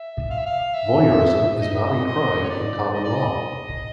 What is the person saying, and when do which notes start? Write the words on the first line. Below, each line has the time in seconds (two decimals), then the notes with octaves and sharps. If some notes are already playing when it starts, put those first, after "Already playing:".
Voyeurism is not a crime in common law.
Already playing: E5
0.30 F5
0.38 E5
0.46 F5
0.74 E5
1.61 D#5
1.72 E5
1.84 D#5
2.05 D#5
2.44 C#5
2.49 D5
2.93 D#5
3.04 D5
3.15 D#5